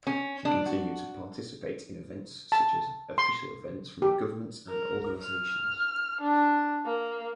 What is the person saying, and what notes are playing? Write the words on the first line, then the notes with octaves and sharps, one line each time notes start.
She continued to participate in events such as official events from governments and organizations.
C#4
D4
F#4
A5
C6
G4
A#4
F6
D4
A#3